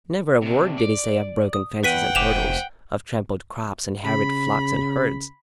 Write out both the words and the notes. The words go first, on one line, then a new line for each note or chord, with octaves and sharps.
Never a word did he say of broken fences and hurdles, of trampled crops and harried flocks and herds.
C3 D4
D5
D#6
E2 B4 F#5 G5 B6 D#7
F1 C5 E5 G#5 D6 E7 F7
C#3 B5